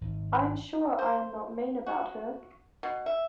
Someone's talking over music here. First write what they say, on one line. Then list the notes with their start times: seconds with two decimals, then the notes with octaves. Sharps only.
I am sure I am not mean about her.
0.01 G#1
0.99 C5
1.86 F#4
2.83 B2
3.06 E5